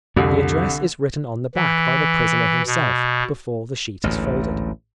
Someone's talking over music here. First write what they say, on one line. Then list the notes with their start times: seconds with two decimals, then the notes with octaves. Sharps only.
The address is written on the back by the prisoner himself, before the sheet is folded.
0.16 C2 F2 D3
1.55 E3
2.67 B2
4.04 A1 D2 G#2